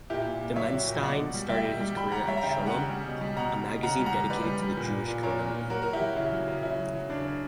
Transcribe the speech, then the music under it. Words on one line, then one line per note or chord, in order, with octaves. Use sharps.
Dimenstein started his career at Shalom, a magazine dedicated to the Jewish community.
A#2 E4 G4
A#2
A#2
F#3 C#5 E5
F#3
A#2
B2 D5 F#5
B2
G3
G3 E5 G5
G3
G3
G3 G5 B5
G3 F#5 A#5
G3 C#5 E5
A#5
C#3 E5 G5
G3
F#5 A#5
C#3
G3
B2
G3
B2 F#5 A#5
B2
B2
C#3 F#5 A#5
G3
F#5 A#5
G3
G3 B4 D5
G3
G3
A#2
A#2
A#2
A#2 A#4 C#5
A#2
A#2
F#3 F#4 A#4
F#3 F#4 A#4
E4 G4
F#3
C#3 E4
F#3
C#3
F#3 E4
F#3
F#3
C#3 D4
C#3